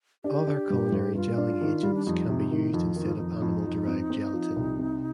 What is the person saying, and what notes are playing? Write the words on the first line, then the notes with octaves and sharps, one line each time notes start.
Other culinary gelling agents can be used instead of animal-derived gelatin.
D4 G4
D4
G2
G2
G2 F4
D4
D#3
G3
D4
F2 D#4
C3
D#3
F2
D#3 D#4
F4
F2 D#4
F2
F2
C4
C4
F3
C2
C3